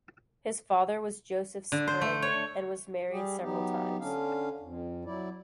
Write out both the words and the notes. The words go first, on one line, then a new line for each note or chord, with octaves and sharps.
His father was Joseph Sprigg and was married several times.
D3
C5
A3
C#5
G3 G4 G#4
F#3 B3 D#4 G4
D3 C#4 D4 F5
F2
F#3 E4 D5